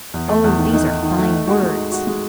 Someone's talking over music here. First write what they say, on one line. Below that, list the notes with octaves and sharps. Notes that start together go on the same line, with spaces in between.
"Oh, these are fine words."
E2
A3
E2
D#3
D#4
D#4
D#3
A3
D#4
F#4
G#3
D#4
F#4
G#3